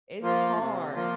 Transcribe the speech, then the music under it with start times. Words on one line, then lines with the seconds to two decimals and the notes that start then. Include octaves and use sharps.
it's hard.
0.22 F3 A#3 F4
0.59 C3
0.95 F3 A#3 F4